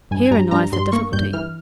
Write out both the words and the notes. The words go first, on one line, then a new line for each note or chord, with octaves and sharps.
Herein lies the difficulty.
G2 G#5
G#5
G2 A#5
G2 A#5
G2 C6
A#3 C#6
G2 G6
E3 F6